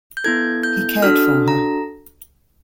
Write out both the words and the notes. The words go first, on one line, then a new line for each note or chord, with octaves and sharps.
He cared for her.
G6
B3 E4 A4 G#6
G6
D4 F#4 A4 F6
A#5